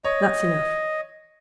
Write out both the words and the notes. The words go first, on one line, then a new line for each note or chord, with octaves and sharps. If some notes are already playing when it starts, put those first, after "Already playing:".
That's enough.'
C#5 D#5